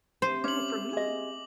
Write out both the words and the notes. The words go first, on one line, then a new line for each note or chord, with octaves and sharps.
You know, for me,
C4 G4 C5 E5
C#4 C#5 D6 F#7
G#4 D#5